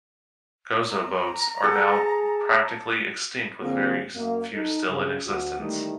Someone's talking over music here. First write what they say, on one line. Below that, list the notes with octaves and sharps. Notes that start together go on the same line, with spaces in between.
Gozo boats are now practically extinct with very few still in existence.
A#5
G#4 A4
D3 F3 A#3 C4 G#4
F#2 A#3
D#4 A4
G2 C#3
D2 F#4
D#3 E3 G3 A3